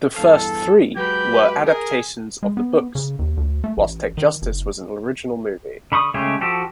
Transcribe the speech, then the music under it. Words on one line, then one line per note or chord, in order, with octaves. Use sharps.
The first three were adaptations of the books, while TekJustice was an original movie.
E2 G2 A4 F5
F#3 G#3 G4 B4 G6
G#4 A#4
G#3
B3
C#3
D#2
D2
A3
A1
D#3
F#1
D3 B5 C#6 D#6
C#3 G#3 A3 G4 C#5
F3 F#4 G4 A4